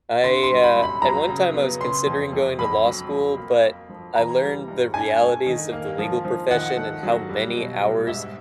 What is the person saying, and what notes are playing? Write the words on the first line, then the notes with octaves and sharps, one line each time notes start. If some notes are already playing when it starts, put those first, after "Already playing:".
I, uh, at one time, I was considering going to law school, but I learned the realities of the legal profession and how many hours
D3 C6
C6
G3
B5
F#2
B5
F#3 A#5
C#3
B3
C#3 C6
F2
F2
F2 B5
F#3
F2
A#3
A#3
F3
E3 A#5
G3
G2
D4 G#5
A3
D#3
A#3
F3
F3
D#3 F#5
A3
F#3
G3
B2
G3
G#2 E5